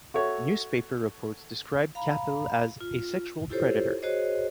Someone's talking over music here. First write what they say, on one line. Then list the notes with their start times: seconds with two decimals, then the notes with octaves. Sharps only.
Newspaper-reports described Capill as "a sexual predator".
0.14 F#4 A4 C#5 E5
1.95 F5 A#5 B5
2.81 F4
3.50 E4 F4 G4 A4 C5 C#5
4.02 F#4 G#4 C5 C#5 D#5